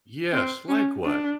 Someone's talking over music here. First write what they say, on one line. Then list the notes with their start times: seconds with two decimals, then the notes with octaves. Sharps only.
Yes, likewise.
0.33 C4
0.68 C#4
1.05 D4